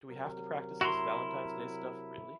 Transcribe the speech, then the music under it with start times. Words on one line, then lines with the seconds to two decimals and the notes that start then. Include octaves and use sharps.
Do we have to practice this Valentines Day stuff really?
0.10 C3 F#3 A#4
0.81 E4 F#4 A#5 C6